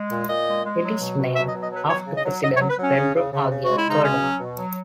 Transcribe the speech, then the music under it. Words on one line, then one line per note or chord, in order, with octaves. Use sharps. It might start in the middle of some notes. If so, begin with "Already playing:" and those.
It is named after President Pedro Aguirre Cerda.
Already playing: G#3
A#2
A#2 D#5
G#3
G#3
F#3
B2
B2
F#3 E5
D#5
B2
D#5
F#3
B4
F#3 C#5
C#3
D#5
F#3
F#3 D#5
C#5
F#3
B4
F#3 C#4
C#3
C#3
C#3
C#3
G#3 F#4
E4
C#3 D#4
B2 C#4
F#3
B2
F#3